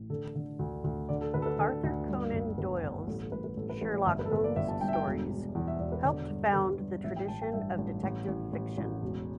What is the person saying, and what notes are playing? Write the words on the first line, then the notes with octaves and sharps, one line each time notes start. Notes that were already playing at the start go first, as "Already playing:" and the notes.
Arthur Conan Doyle's "Sherlock Holmes" stories helped found the tradition of detective fiction.
Already playing: A1 A2
D3 A4
D3
D2
D2
D3 D5
A4
D2 B4
A4
B4
D3 A4
D2
G2
G1
G1 B4
G1
A1 A4
A4
A1 B4
B4
A1 A4
B4
A1 B4
D5
G1 E5
B4
A4
G1 B4
D5
G1 E5
A5
G2 G5
E5
G5
E1
E1
E2
E5
E1 D5
B4
D3 D5
G2
A4
D3 B4
G2
A1 E5
G5
A1 A5
G5
G2 E5
A1
A1
A1
A1
A1
E1